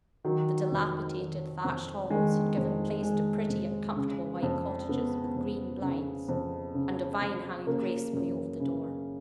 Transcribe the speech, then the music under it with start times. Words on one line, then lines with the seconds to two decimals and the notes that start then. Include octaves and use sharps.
The dilapidated, thatched hovels had given place to pretty and comfortable white cottages with green blinds, and a vine hanging gracefully over the door.
0.25 D#3 F#3
0.72 F2
1.18 D#3
1.64 F2
2.10 D#3 G#3
2.57 F2
3.03 D#3 G#3
3.49 F2
3.96 C#3
4.43 F2
4.89 C#3 B3
5.36 F2
5.82 C#3
6.28 F2
6.74 C#3
7.21 F2
7.66 C#3 A#3
8.13 F#2
8.60 C#3